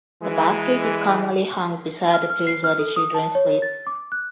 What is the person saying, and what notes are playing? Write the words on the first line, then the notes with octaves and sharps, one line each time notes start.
The basket is commonly hung beside the place where the children sleep.
E3 G#3
F6
F6
C7
F6
A4
D#6
A5
C#5
A6
D6
F#6